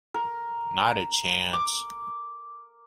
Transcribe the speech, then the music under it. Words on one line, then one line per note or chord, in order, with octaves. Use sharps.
Not a chance.
A#4
D6